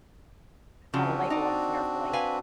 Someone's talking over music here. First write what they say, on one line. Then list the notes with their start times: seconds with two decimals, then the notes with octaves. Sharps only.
Gotta label 'em carefully.
0.94 C#3 F3 C4 D4 F#4
1.30 D#4 D5
2.13 B4 F5 G#5